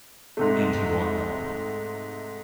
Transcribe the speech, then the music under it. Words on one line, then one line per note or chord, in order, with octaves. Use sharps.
And he walked on.
G#2 C3 A3